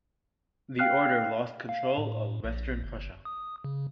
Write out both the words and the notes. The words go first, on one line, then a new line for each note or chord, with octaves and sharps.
The Order lost control of western Prussia.
F5 G5 F6 F#6 C7
F5
A2
A#1
G1
D#6
C#3